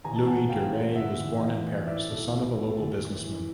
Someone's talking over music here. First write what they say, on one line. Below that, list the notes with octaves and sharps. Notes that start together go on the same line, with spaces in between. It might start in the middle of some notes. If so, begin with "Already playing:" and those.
Louis Durey was born in Paris, the son of a local businessman.
A1 G#5 A#5
A5
G#2 F#5 G#5
A1 F5 G5
G#2
E2 E5 F#5
E2
E2 D#5 F5
E3
A2 D5 E5
B1
B1
A2
D#2
E3
E3